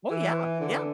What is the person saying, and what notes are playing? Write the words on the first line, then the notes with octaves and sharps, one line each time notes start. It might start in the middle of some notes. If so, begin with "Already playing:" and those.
Oh, yeah, yeah.
E3
D3